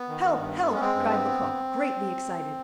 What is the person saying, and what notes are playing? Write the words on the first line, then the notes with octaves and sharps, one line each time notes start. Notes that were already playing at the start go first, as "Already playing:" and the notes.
"Help! help!" cried Lecoq, greatly excited.
Already playing: B3
D#3
D#3
G2
B3
G#3
C#4
G#3 C4
G2
B3
B3
G2